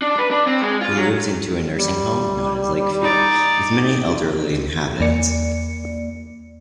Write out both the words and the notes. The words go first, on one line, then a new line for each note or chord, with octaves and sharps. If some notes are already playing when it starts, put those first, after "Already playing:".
He moves into a nursing home known as Lakeview, with many elderly inhabitants.
D4
B4
D4
C4
G#3
F4
F#3
G3
D#4 D5
E2 A#3 D5 C#7